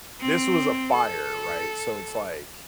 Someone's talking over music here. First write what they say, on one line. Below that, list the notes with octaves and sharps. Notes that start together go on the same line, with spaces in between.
This was a fire, right? So it's like,
C4
A4